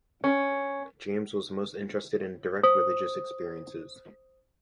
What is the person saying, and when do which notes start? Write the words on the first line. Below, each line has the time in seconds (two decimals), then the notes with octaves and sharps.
James was most interested in direct religious experiences.
0.24 C#4
2.63 C5 D#6